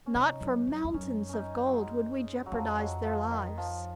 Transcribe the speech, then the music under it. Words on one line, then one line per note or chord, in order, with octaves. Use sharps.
Not for mountains of gold would we jeopardize their lives.
C#4
C3 D#4
F#2
F#2
F2
F#2 C#4
C#4 D#4
F#3
G#3
F#3
F2 F3
G#3
F#3
F3
D#3
F3